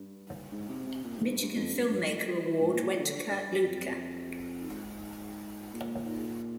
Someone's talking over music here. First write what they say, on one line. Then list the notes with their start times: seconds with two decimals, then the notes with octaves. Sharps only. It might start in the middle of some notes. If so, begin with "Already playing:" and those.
Michigan Filmmaker Award went to Kurt Luedtke.
Already playing: G2
0.52 G#2
0.69 C3
0.87 C3
1.04 A#2
1.17 G#2
1.30 G2
1.42 G2
1.56 F2
1.74 G2
1.91 G2
2.60 G#2
2.73 A#2
2.99 D3
3.30 G2
3.64 F2
4.70 G#2
5.74 A#2